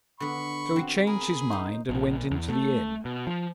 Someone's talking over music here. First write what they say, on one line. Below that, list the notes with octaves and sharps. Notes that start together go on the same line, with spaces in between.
So he changed his mind, and went into the inn.
D3 B3 B5 C#6
C4 F#4
G#4 A#4 B5
D#4 C5
A#1
E2
A3
B2
F3